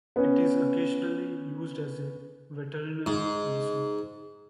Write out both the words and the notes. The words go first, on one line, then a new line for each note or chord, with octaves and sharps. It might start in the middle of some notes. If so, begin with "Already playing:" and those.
It is occasionally used as a veterinary medicine.
B3 C#4
G#2